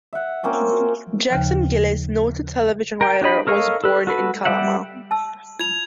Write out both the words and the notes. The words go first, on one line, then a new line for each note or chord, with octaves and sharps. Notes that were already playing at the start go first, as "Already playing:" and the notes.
Jackson Gillis, noted television writer, was born in Kalama.
E5 F#5
A#3 C4 C#4 F4
F#4
D#2 C#3 F3
A#4 G5
D4 G4 D#5 B5
A4 A#4 C#5 D#5 F5
A4 B4
F#4 A4 B4
G3 G4 D5 E5 F#5
A5 E6
F4 G#6 F7